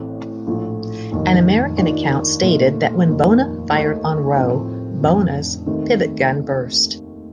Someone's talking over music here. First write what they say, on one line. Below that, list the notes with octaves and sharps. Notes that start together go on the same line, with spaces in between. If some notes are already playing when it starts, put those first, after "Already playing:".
An American account stated that when "Bona" fired on "Roe" "Bona"s pivot gun burst.
Already playing: A1 A2 A3 C4
A#1 A2 F3 A3
F1 D#2 D#3
D#2 D#3 A#3 D4 F4
A#2 A3 D#4
F1 D#2 D#3 A#3
D#2 D#3 A3 D#4
A2 F3 C4
F1 F2 D3
D#2 D#3 A3 C4